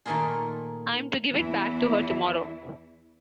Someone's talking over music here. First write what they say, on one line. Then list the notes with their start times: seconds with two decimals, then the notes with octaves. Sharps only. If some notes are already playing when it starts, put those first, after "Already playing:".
I’m to give it back to her tomorrow.
0.06 A#2 D#3 A3 A#3 F4 G#4
1.32 E2 E3 E4